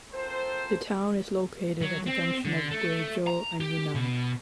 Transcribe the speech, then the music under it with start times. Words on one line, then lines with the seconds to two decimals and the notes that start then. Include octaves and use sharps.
The town is located at the junction of Guizhou and Yunnan.
0.12 C4 F4 A4 A#4 C5
1.82 F#3
2.07 C4
2.45 D3
2.71 A3
3.27 A#5
3.60 G4
3.95 B2